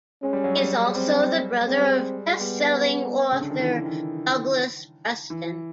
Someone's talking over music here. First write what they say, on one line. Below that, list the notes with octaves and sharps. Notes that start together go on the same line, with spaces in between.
He is also the brother of best-selling author Douglas Preston.
G#3 C#4
G3
F#3
G3
G#3
G3 C4
G#3 C4
G3
G#3
G#3
G3 B3
C#3
D3
D#3
E3
D#3
E3